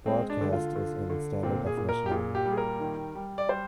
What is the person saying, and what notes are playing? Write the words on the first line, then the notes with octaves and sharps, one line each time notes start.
Broadcast is in standard definition only.
G#3 C4
D4
D3
F4
D3
D3
A#2 C4
G#4
A#2
A#4
G4
A#2 G#4
G4
G3
G#4
A#4
D#3
G3
D5
G3 C5